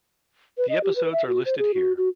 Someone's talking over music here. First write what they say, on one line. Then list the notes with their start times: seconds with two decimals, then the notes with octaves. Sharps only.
The episodes are listed here.
0.58 B4
0.69 D#5
0.84 G4
0.96 B4
1.12 E5
1.27 F#4
1.45 C5
1.58 G#4
1.74 F#4
1.97 F#4